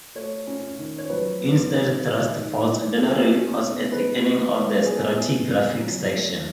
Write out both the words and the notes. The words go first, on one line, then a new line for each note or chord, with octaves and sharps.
Instead thrust faults generally cause a thickening of the stratigraphic section.
A3 C#5
C#4
D#3
C#5
F#3 B4
B3
D#3
G#3
D#4
E3
G#3 A4
C#4
B2
G#3 B4
B3
B2
G#3 G#4
A4
G#4
B3
C#3
F#3
A3